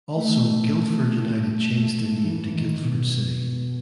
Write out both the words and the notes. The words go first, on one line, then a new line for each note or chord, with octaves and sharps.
Also Guildford United changed their name to Guildford City.
A3
A3
E3
D#3
B2